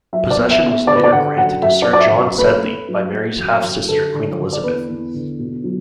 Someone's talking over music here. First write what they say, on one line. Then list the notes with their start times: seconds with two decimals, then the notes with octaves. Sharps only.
Possession was later granted to Sir John Sedley by Mary's half-sister Queen Elizabeth.
0.13 F#3 E5
0.31 D5
0.38 B3
0.50 E5
0.63 B3
0.68 E5
0.87 D3 D5
0.95 B4
1.04 D5
1.13 D3 F#5
1.37 F#2 F#5
1.62 F#2 E5
1.82 D5
1.88 F#2
1.93 D5
2.00 E5
2.12 F#2
2.38 A3 B4
2.63 A3
2.88 F#3
3.13 A3
3.39 F#2
3.64 F#2
3.89 D3 A4
4.14 D3
4.39 D3
4.53 D5
4.63 E2 B4
4.89 E2
5.14 D3
5.39 B2
5.64 F#3